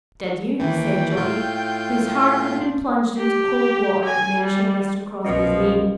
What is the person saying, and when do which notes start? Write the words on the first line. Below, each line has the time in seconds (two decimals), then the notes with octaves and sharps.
"Did you?" said Johnny, whose heart had been plunged into cold water at the mention of Mr. Crosbie's name.
0.59 D#2 E3 G5
1.17 A2 F4 G6
3.18 G4
4.04 G#5
4.40 G3
5.25 C2 F#2 B2 F3 D#5